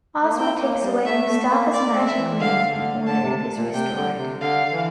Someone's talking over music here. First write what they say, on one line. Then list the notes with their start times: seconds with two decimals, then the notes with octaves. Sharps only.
Ozma takes away Mustafa's magic ring and order is restored.
0.23 A3
0.31 A#3
0.38 C4 G5
0.61 A#3
0.82 G3
1.05 A3 E5
1.27 A3
1.49 A#3
1.73 D5
1.95 C4
2.06 E5
2.17 E3
2.39 D3 F5
2.73 D3
3.06 D3 A5
3.23 C3
3.57 A#2
3.73 C3 G5
3.95 D3
4.17 C3
4.40 D3 F5
4.73 E3